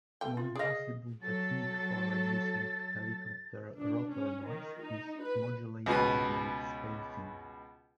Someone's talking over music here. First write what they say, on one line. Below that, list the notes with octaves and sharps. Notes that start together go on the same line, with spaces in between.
One possible technique for reducing helicopter rotor noise is "modulated blade spacing".
A3 G5
F4
G#4 D5 D#5 F5
F#3 A4 A6
D4
C#4
D#3
D#4
B4
C#2 B2 B4